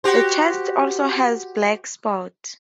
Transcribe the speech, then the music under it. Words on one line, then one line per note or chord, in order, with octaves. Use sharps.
The chest also has black spots.
F#4 G4 C5